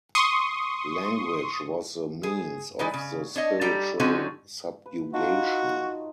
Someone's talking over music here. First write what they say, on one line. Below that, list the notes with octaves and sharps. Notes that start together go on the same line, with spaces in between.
Language was the means of the spiritual subjugation.
C6 C#6 D#6
G#4
E3 G#3 D#4 D5
C#3
D4 C#5 D#5
G3 G4 A4 G5 A#5
D3 F#3 C4 C#4 D#4 F#4
B4
D#4 F4 F#4 A5